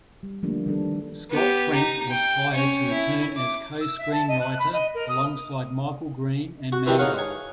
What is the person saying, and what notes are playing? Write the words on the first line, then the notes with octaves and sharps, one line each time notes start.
Scott Frank was hired to return as co-screenwriter, alongside Michael Green and Mangold.
G3
D3 F3 G3 A3 A#3 D4
D#3 G3 A3 B3 D4 A4
B3 G4
D#4
G5
C#4 C#5
E4
D6
E6
E5
A5
D#5
F#6
B5
D#5
A#4
D#6
F#4
D#3 E3 D4 E4 G4
D#4 G#4 C#5 F5 F#5
G#5